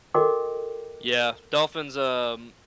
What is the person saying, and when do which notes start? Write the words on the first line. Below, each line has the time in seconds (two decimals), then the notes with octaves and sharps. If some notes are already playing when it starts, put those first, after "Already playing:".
Yeah, dolphins, um
0.14 F#4 A4 A#4 D#5 G5 D6